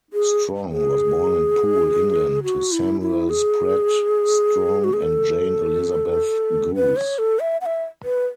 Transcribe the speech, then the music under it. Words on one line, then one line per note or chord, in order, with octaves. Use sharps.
Strong was born in Poole, England to Samuel Spratt Strong and Jane Elizabeth Goose.
G#4
G#4
F#4
E4
E4
G#4
F#4
G#4
A4
B4
C#5
A4
E5
F#5
E5
B4